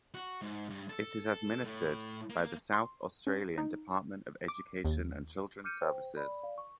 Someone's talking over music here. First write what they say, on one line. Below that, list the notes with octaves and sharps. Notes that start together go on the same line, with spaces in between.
It is administered by the South Australian Department of Education and Children's Services.
F#4
G#2
G2
A4
A2
A#3
C6
C#4
D#4
D6
D#2
D6 F6 G6 C#7 D#7
C5 G5
D5 B5
D5 F5
C#6